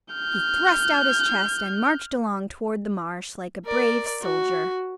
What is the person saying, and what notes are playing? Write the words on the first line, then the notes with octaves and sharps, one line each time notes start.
He thrust out his chest and marched along toward the marsh like a brave soldier.
F6 G6
A#4 D5
F#4